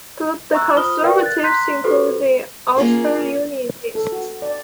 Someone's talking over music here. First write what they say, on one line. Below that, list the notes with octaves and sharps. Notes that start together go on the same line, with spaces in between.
The Conservatives include the Ulster Unionists.
E5 A#5 C#6 E6 F#6
F4 C5 B5 D#6 F6 G7
A#4 B4 D5 F5 G5
F#6 A6
A#5 C6 F#6 G6 B6
F#4 G4 A4 B4 C5
A#3 C#4 F4 G#4 A#4
A4
F#4
D5